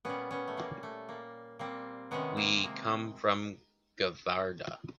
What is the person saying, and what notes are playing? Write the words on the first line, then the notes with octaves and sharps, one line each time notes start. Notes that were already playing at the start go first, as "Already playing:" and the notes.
We come from Gavarda.
A#2 G3 B3 C#4
B3 C#4
A3
A#2 G3 A#3
A3
A#2 G3 A#3
A#2 G3 A#3 C4
C3 D#3 G#3 B3 C#4
A#3 C4
C3 D#3 G#3 A#3